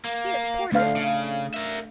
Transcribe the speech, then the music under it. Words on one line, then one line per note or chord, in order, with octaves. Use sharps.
Here, porter!
A#3
D2 A3 D4 F5
C#3
A#4 E5